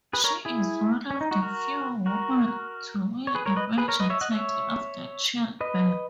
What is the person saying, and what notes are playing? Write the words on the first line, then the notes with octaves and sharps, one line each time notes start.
She is one of the few women to win a major title after childbirth.
G#4 B4
A#4 C#5
E4 G#4
C#4
D#4
D#4 F#4
F#4 A#4
F#4 A#4
C#5
G#4 B4
A#4 C#5
B4 D#5
G#4 B4
A#4 C#5
B4 D#5
C#5 E5
D#5 F#5
C#5 E5
B4 D#5